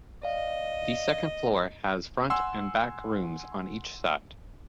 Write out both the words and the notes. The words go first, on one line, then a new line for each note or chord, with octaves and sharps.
The second floor has front and back rooms on each side.
D5 D#5 F5
F#5 G#5 C6 E6